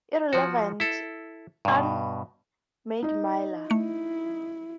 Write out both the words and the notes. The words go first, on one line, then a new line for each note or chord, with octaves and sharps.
Irrelevant, Ahmad Miller.
F3 F#4
E4 A4
G2 B2
D#4 D#5
A3 E4 C#7